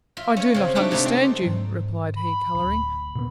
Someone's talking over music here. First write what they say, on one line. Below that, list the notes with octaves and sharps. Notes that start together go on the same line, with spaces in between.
"I do not understand you," replied he, colouring.
F4 E5
C#4 C#5
C#3 C4
A3 D4 D#4 G4 B4
C3 A3 D#4 A4
C4
G#2 F#3
B5
D1
A#2 D3 B3